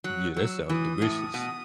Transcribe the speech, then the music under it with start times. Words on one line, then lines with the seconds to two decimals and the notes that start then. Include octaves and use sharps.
Yeah, that sounds delicious
0.04 F#3 F#6
0.36 F#3 E6
0.68 E3 D#6 E6
1.02 A2
1.34 B2